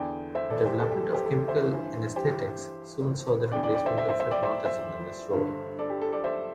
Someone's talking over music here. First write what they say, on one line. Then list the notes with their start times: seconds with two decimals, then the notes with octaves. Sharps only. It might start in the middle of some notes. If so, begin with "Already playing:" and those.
The development of chemical anesthetics soon saw the replacement of hypnotism in this role.
Already playing: E2 D3 D5 G5
0.35 C5 E5
0.50 A4 D5
0.66 G4 C5
0.80 A4
0.91 G4
1.03 A4
1.14 G4 C5
1.26 A4
1.48 C5 E5
1.70 G2 E3
2.16 G4 C5
3.52 D3 D5 G5
3.55 E2
3.63 D5 G5
3.75 D5 G5
3.86 C5 E5
3.97 C5 E5
4.09 C5 E5
4.20 C5 E5
4.31 D5 G5
4.43 C5 E5
4.65 C5 E5
5.33 G2 D3
5.79 A4 D5
5.90 G4
6.02 A4
6.12 A4 D5
6.24 C5 E5